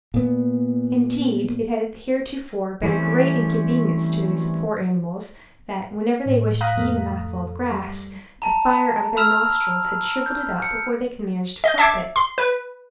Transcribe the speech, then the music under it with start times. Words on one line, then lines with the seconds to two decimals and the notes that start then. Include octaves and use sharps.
Indeed, it had heretofore been a great inconvenience to these poor animals, that, whenever they wished to eat a mouthful of grass, the fire out of their nostrils had shriveled it up, before they could manage to crop it.
0.14 A#2 B3
2.83 E3 G3 A3 C4 C#4
6.26 A2
6.61 F5 A#5 D#6 F#6 B6
6.76 F2 A3
7.71 G3
8.42 A5 A#5
9.17 B5 E6 F6 E7 F7
10.26 G6
10.62 C#7
11.64 D#5 G6
11.78 E5 A5 D6 G#6 C7
12.16 C6
12.38 B4